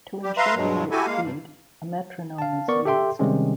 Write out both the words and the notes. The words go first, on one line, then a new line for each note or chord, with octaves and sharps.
To ensure the right speed, a metronome is used.
G3 G4
B4 E5 F5 A#5 C6
G2 B2 F#3 G#3
E4 F#4 G4 A4 G#5
G#3 A#3 F5
G2
F5 A5
B3 A#4 D5 C#6
G4 A4 E5 G5 C6
C3 D#3 G3 G#3 C4 C#4